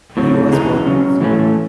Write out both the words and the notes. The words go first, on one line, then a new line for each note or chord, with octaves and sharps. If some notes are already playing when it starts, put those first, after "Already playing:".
He was born in Zuilen.
A2 F#3 C4
C#3 E3 G#3 D#4 G#4
C#3 F#3 C#4
A2 E3 A3 C#4